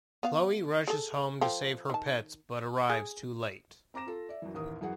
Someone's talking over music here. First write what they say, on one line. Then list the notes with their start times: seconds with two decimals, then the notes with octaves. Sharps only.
Chloe rushes home to save her pets but arrives too late.
0.23 B3 F5
0.88 G#4 A4
1.41 F3 A4 G5
1.90 D#3 A5
2.90 G#4
3.94 C4 A#5 D6 A#6 E7
4.07 F4 A4
4.29 D5 E5
4.42 F#2 E3
4.54 A1 D#2 A#4 D#6
4.81 F#2 E3 G#4 F#5